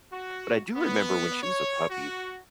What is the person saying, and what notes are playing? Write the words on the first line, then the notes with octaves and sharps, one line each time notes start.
but I do remember when she was a puppy,
F#4
B3
C#5
F#4